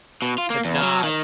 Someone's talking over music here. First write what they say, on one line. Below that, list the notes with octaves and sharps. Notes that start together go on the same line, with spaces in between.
to not
B2
F4
A#3
E2
F#3
D#3